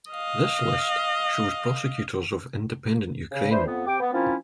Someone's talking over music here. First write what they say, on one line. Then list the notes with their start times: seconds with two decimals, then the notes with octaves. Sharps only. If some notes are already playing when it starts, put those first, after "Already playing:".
This list shows prosecutors of independent Ukraine.
0.11 D#5 F5
3.32 C#3
3.50 D4 E4 B4 C5
3.65 F2 B3
3.86 C3 G5 D6
4.00 B3
4.13 F3 A#3 C4 C#4 E4 F4